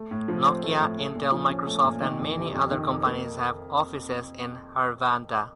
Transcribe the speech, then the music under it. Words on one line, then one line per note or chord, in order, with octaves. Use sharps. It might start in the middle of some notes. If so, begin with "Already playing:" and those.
Nokia, Intel, Microsoft, and many other companies have offices in Hervanta.
Already playing: A3
A2
F3
C4
A3
A2
A3
A#2
F3
C#4
A3
A#2
D#3
F2
C3
F2
D#3
F2
A#3